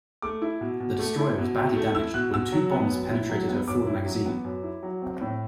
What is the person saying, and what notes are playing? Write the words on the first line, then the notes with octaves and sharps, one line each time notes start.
The destroyer was badly damaged when two bombs penetrated her forward magazine.
A3 D6
E4
B2
B2
A3
E4
B2
B2
A3
E4 E6
B2 F#6
B2 E6
F#3
B3
F#2
E4
F#3
B3
F#2 D6
E4
F#3
B3
F#2
E4
F#3
C4
A2